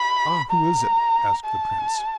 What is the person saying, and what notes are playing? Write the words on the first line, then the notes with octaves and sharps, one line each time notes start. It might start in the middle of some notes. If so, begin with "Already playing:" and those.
"Ah! who is it?" asked the Prince.
Already playing: B5
A#5
A5